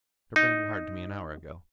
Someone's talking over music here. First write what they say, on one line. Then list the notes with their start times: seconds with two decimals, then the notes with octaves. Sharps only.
"Mr. Brand wired to me an hour ago."
0.36 D#4